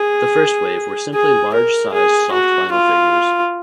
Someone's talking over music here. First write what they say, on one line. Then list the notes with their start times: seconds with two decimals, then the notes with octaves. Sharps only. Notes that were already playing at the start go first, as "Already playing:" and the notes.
The first wave were simply large-sized soft vinyl figures.
Already playing: G#4
1.14 G#4
1.54 A#4
1.93 G#4
2.33 F#4
2.71 F4